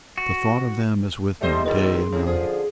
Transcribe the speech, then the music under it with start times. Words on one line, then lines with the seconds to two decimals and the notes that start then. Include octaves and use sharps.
The thought of them is with me day and night.
0.18 F#4
1.42 G#2 G3 A3 C5 D#5
1.65 E2 G#2 B2 D#3 F#3
2.12 F2 A2 C#3
2.26 D3 F3 G#4